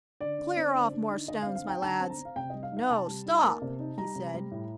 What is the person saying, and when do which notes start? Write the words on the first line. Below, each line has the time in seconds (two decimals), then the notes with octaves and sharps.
"Clear off more stones, my lads. No; stop!" he said.
0.21 D3 D5
0.39 D3
0.57 C4
0.75 D3
0.92 D3
1.11 D#4
1.28 D3 D#5
1.42 F5
1.46 C4
1.55 F5
1.64 D#4
1.69 G5
1.82 D3 A5
2.00 C4
2.10 A#5
2.18 C4
2.25 F5
2.36 C3 G5
2.50 G3 D#5
2.63 F5
2.72 D#4
2.77 F5
2.90 C3 A5
3.08 G3
3.26 D#4
3.44 A#3
3.62 C3
3.80 D#4
3.97 G3 A#5
4.15 C3
4.34 G3
4.51 A2